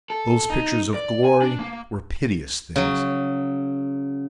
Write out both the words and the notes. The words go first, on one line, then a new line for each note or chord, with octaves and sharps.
Those pictures of glory were piteous things.
A4
D#4
D5
G#5
D4
A#3
C#3 F#3